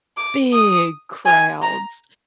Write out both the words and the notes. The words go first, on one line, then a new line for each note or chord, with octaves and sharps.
big crowds.
D6
D#6
G#5
A#5